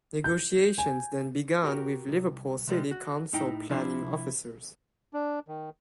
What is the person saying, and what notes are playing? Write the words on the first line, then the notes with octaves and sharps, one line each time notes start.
Negotiations then began with Liverpool City Council planning officers.
G6
G#5
F#4 G4 A#4
C2
C3 F3 G3 G#3
F#4
A2 D#4 E4 G5 A#5
C3 F3 D4 E4 F4
D4
D#3